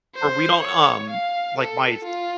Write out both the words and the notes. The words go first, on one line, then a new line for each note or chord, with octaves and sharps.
where we don't, um, like my
C5
C#5
F5
A4
F4